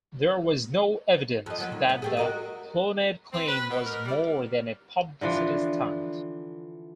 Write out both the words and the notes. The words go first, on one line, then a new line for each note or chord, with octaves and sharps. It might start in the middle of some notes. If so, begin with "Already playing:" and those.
There was no evidence that the Clonaid claim was more than a publicity stunt.
F2 D#5
F3 F#3 B3
D#2
B3
A3 G4 G#4
F#4 A#4 D#5
C4
B4
B2
A#4
G3
D3 E3 F3 D4